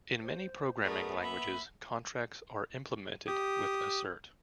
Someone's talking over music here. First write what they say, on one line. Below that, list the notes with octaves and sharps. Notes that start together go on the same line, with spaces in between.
In many programming languages, contracts are implemented with assert.
C5
A3 B3 G#4 A#4 D5
A#3 E5 B5
G4 D#6